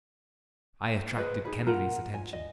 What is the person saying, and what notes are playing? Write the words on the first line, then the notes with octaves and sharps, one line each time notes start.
I attracted Kennedy's attention.
G#4 B4 C5 D#5
D#4 G#4 B4
F4 A#4 F#5 A#5
G#5
D#5